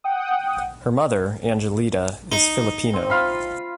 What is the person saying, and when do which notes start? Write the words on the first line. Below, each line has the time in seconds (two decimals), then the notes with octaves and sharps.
Her mother, Angelita, is Filipino.
0.04 F#5 G5 D#6
2.32 D#4
2.93 C4
3.10 F4 F5 B5